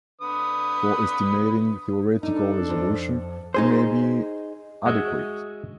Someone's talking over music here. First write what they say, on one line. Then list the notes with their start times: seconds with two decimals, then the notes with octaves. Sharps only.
For estimating theoretical resolution, it may be adequate.
0.21 D3 B4 D#6
2.23 D4 D#4 A4
2.70 F2
3.54 D#4 G#4 C5
4.86 G#3 F#4 D#5 E5